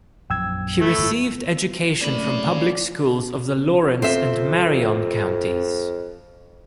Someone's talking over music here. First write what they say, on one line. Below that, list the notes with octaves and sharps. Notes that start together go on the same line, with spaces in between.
He received education from public schools of the Lawrence and Marion counties.
A#1 F#2 F3 G5 E6 G#6
A3 E4
G1 G#2
F#1 A3 C#5 D5 B5
F2 C4 F4 E5